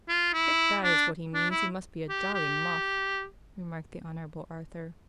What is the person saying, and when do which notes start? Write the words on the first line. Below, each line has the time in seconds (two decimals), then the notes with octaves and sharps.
"If that is what he means, he must be a jolly muff," remarked the Honourable Arthur.
0.09 F4
0.34 E4
0.84 D4
1.35 D4
1.51 E4
2.09 G4
2.34 G4